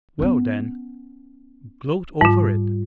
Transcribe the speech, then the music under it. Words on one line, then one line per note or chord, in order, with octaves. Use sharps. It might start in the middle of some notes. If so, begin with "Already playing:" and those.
Well then, gloat over it!
B3 C#4
G#2 G3 F4